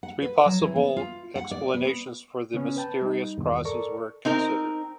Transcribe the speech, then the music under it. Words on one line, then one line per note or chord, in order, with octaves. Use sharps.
Three possible explanations for the mysterious crosses were considered.
F#5
B4
F#3
E3
B3
F4
F#5
D5
B3
C#3 B3 C#4
B4 G5 A5
G3 D#4
E2 G2 B2 D#3
A4 A#4 D5 C#6
C4 D#4 A#4